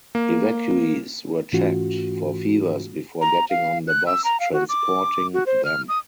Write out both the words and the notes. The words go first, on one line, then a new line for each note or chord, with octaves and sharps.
Evacuees were checked for fevers before getting on the bus transporting them.
A#3
G#2 E3 A3 C#4 F4 F#4
A#5
F5
F#6
E6
A#5
F5
F#4
D6
F#4
C5
F6
D#6